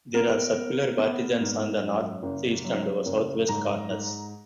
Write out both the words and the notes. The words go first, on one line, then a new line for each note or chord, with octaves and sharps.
There are circular bartizans on the northeast and southwest corners.
B3 A#4
B3
B3
G#2
F#2
F#1
F#2
F#1
G#2 A#5
G#2